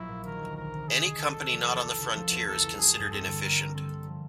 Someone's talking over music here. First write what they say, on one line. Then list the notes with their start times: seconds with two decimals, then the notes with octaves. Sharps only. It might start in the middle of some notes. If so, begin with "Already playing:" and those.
Any company not on the frontier is considered inefficient.
Already playing: A#1 F#3 E4
0.09 A#2
0.25 D#3 A#4
0.41 D2
0.57 G#3 A#4
0.73 C3
0.88 D#3 G#4
1.04 D2
1.20 G#3 A4
1.36 C3
1.52 F3
1.67 E2
1.84 A#3
1.99 C#3
2.15 F3 A4
2.31 E2
2.47 A#3 A4
2.63 C#3
2.78 G3 G#4
2.95 G2
3.11 C4 A4
3.26 D3
3.42 G3 A#4
3.58 G2
3.74 C4 A4
3.90 D3
4.06 F3